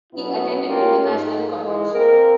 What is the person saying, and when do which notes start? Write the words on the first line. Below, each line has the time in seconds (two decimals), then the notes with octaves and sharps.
He attended International College.
0.13 B2 F#3 B3 E4
0.66 A#3 C#4 F4 G4 A#4
1.06 G#2
1.63 E3 G#3
1.93 A#3 C4 A#4